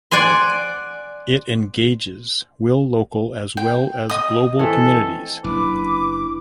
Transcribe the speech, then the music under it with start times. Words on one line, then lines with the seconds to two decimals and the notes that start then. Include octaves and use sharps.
It engages will local as well as global communities.
0.11 D5 F#5 G#5 C6
3.57 G5
4.10 D#5 D#6
4.59 E3 A3 C4 A4
5.44 F#1 D4 E4 B4 D6